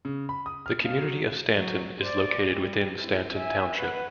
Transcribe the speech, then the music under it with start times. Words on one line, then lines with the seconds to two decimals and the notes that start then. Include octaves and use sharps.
The community of Stanton is located within Stanton Township.
0.05 C#3
0.29 B5
0.46 D#6
0.66 F6
0.85 F5
0.99 F#3
1.55 F#3
2.01 C5 D5
2.51 G3
2.98 C4 E4
3.35 E5 G#5
3.77 B4 F#5